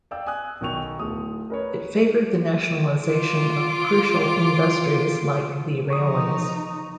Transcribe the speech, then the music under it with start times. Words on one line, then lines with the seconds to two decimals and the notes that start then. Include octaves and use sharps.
It favoured the nationalization of crucial industries like the railways.
0.11 D5 F5 G5 E6
0.26 G#5 D#6 F#6
0.61 B1 D#3 G5 C#6 F7
0.99 D1 D#6
1.50 A#4 B4 C#5
3.05 F4 D6
5.90 F3 D#4 C#6 D#6